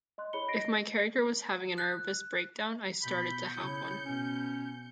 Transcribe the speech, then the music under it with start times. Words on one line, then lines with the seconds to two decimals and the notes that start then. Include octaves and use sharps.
If my character was having a nervous breakdown, I started to have one.
0.18 D#5 C6 F#6
0.33 E4 G#4 C#5 B5 C#7 G7
0.48 D#5 A#6 C7 D7
1.78 F#6
3.03 B2 B5 G6 C#7
3.56 C#3 E4
4.05 B2 C#4